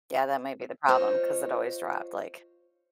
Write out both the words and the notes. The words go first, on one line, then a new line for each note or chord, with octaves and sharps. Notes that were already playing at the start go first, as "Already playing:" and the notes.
Yeah, that might be the problem, 'cause it always dropped, like
F4 C5 C#5 D#5 F5